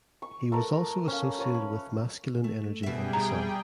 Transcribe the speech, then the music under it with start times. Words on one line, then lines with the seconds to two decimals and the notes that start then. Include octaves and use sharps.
He was also associated with masculine energy and the sun.
0.22 C#6
0.52 A3 A#4 B4
1.08 C#4 F5
1.39 B4 C#5 B5
1.54 B5
2.44 A3
2.83 B2 G3 G#4 E5 G5
3.13 A#5